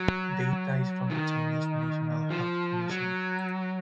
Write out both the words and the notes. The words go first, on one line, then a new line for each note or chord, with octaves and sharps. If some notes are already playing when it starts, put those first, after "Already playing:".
Data is from the Chinese National Health Commission.
Already playing: F#3
D#3
F3
F#3